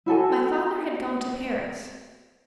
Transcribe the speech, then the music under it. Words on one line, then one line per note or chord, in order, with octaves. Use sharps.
My father had gone to Paris.
E4 F#4 A4 G#5